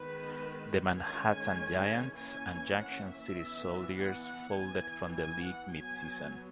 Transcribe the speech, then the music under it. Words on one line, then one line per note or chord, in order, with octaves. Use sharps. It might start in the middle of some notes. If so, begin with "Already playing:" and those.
The Manhattan Giants and Junction City Soldiers folded from the league mid–season.
Already playing: D#3 G#3 B3 B4
D#3 G#3 C#4 G#5
E3 A#3 C#4 G#5
F#5
E5
E3 B3
F#5
F#5
E3 B3 G#5
G#5
F#5
F#3 B3 G#5